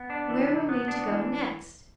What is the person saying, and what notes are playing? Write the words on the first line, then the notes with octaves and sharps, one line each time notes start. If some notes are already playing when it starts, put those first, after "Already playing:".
Where were we to go next?
Already playing: B3
D4
E3
C3
B3
D4
E3